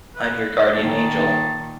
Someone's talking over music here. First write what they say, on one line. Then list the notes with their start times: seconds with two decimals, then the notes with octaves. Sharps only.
I'm your guardian angel.
0.16 B4
0.75 A#2 D#3 A5